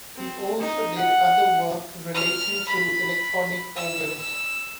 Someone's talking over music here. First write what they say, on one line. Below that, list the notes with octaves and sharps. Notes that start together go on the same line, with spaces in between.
He also did other work relating to electronic organs.
C4
D#4
F#5
F6
B5
E6